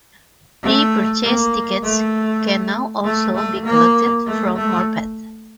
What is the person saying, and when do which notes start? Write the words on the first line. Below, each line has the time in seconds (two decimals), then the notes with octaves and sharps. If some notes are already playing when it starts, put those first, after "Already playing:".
Pre-purchased tickets can now also be collected from Morpeth.
0.63 A3
1.23 A#3
1.84 A3
3.04 A3
3.35 A3
3.65 A#3
4.26 A3
4.56 A3